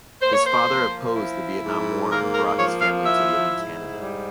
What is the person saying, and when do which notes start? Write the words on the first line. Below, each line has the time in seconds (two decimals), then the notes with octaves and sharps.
His father opposed the Vietnam War and brought his family to live in Canada.
0.20 A#3 C5
0.32 C#5
0.44 C5
0.67 F3
1.15 E4
1.63 G#2
2.10 A#3 A#4
2.34 A#4
2.57 F3 C#5
2.81 F5
3.05 E4 E5
3.53 G#2
4.00 G3